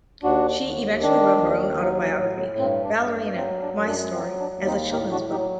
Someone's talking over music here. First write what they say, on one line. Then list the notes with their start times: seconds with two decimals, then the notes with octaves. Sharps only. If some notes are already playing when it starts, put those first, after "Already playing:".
She eventually wrote her own autobiography "Ballerina: My Story" as a children's book.
0.23 D#2 D4 F#4
0.62 D#2
1.01 D#3 D4
1.40 D#2
1.80 F#3
2.18 A2
2.57 G2 C4
2.84 D4
2.96 G2
3.36 F#3 C4
3.62 D4
3.75 F#2
3.88 D4
4.14 F#3 C4
4.40 D4
4.53 D#2
4.66 C4 D#4
4.91 A2 D#4 G4
5.11 D4 F#4
5.30 F#3 D#4 G4